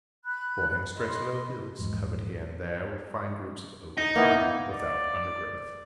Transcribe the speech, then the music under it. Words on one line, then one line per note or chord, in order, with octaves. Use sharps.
Before him stretched low hills, covered here and there with fine groups of oak or pine without undergrowth.
B5 F#6
D#5 B5 C6
A#1 E2 G#2 F#3
D#4
A#3 B3 E4
D5